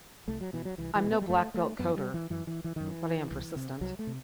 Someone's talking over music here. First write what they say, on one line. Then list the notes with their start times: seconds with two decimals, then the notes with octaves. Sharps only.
I'm no black belt coder but I am persistent.
0.28 C2 A3
0.41 F#3
0.53 B2 E3
0.65 F#3
0.78 C2 E3
0.95 E3
1.04 B2
1.12 B3
1.22 G3
1.29 F#2 A3
1.54 A3
1.79 F#2 B3
1.96 G3
2.14 E3
2.30 F#2 E3
2.47 E3
2.64 E3
2.76 F#2 D#3
2.87 E3
3.31 C2
3.56 C3
3.81 C2 F#3
3.99 A3
4.07 C3